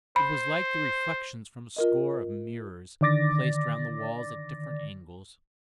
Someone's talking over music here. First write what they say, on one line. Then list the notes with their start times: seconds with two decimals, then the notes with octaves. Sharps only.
It was like the reflections from a score of mirrors placed round the walls at different angles.
0.16 C5 B5
1.77 F4 A#4 D#5
3.01 D3 D#3 D5 D6 A6 A#6